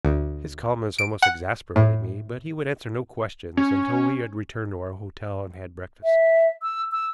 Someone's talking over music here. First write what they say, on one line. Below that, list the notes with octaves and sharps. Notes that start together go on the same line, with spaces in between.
His calmness almost exasperated me, but he would answer no questions until we had returned to our hotel and had breakfast.
D2
D7
F#5
A2
C#4
E5
E6
E6